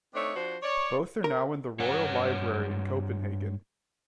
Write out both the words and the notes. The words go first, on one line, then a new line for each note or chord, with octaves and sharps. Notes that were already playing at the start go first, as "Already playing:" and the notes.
Both are now in the Royal Library in Copenhagen.
A3 C4 D4 D#4 C#5
F3 D4 F#4 C5
C#5 D5
A#4
G2 C#5 F#5